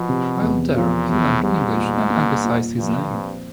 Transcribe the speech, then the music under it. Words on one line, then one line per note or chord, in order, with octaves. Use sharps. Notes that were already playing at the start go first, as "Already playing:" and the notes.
While there, he learned English and anglicized his name.
Already playing: B2 F3
C3
E2
A#2 F3
E2 A2
G#2 G3
A#2
A#3
A#2
G2 F3
C4